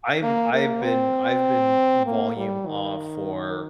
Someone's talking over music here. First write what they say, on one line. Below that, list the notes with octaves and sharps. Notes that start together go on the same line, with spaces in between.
I'm I've been I've been "volume off" for
A#3
A#3
C4
A#3
G3
D#3